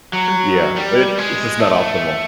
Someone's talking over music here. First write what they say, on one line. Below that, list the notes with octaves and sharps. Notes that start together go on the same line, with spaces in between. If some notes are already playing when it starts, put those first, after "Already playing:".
Yeah. But it's it's just not optimal.
F#3
G3
G#3
A3